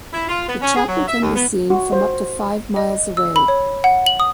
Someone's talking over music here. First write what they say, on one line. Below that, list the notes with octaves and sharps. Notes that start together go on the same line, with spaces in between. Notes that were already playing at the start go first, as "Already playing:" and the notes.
The chapel can be seen from up to five miles away.
E4
F4
B3
C#4
G#4
F#3
E5
D#2
B3
F#4
C5
D#5
E6
B5
C#5
F#5
F#7
D#6